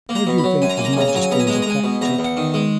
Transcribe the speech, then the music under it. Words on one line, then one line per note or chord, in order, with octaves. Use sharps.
"How do you think his majesty is affected?"
A#3
A#5
B2
B5
F#3
F#2 G#5
A#5
A#3 G#5
A#5
G#5
C#3 A#5
G#5
F#3 A#5
G#5
B2 A#5
G#5
G#3 A#5
G#5
A#5
G#3 G#5
B2
E2 A#5
E2
F#5
D#3
G#3